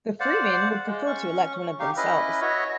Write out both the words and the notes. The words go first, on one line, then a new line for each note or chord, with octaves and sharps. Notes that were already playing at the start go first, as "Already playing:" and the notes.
The freemen would prefer to elect one of themselves.
C5 D5 F5 F#5
G#3
C#4 C#6
D#4 G4 F5
C#4 E4 B4 D#5
F#4 C#5 D#5 E5